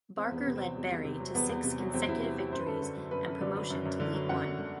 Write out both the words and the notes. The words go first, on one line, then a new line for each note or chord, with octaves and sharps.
Barker led Bury to six consecutive victories and promotion to League One.
E2 C4
E2 B3
C3
C4
F#3
E2
E2
C3
F#3
E2 B3
E2
C3
F#3
E2 C4
E2 E4
C3
F#3 G4
F#2 C5
B4
F#2 A4
B4
D3
F#3
F#2 B4
F#2
D3 D5
F#3
F#2
F#2
D3
F#3
F#2 F#5
F#2
D3